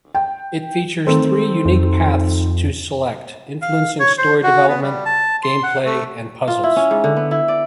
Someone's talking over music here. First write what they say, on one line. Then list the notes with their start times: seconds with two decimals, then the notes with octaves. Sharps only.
It features three unique paths to select, influencing story development, gameplay and puzzles.
0.15 G5
1.07 D#3 A3 C4
1.65 F2
3.62 F5
4.00 C#5
4.18 C5
4.43 F#4
4.68 B3
4.82 G3
5.05 A5
5.43 C6
5.63 F#5
5.85 A3
6.48 F4
6.63 E4
6.76 C#4
6.91 G#2
7.04 D3
7.16 B3
7.31 E4
7.48 D5